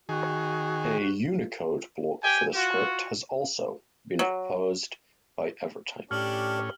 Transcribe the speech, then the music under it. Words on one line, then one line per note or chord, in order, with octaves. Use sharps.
A Unicode block for the script has also been proposed by Evertype.
D#3 F#4 G#4
G4 G5 G#5
F4 F#4
F#3
A2 C#4 D4 G4 F6 F#7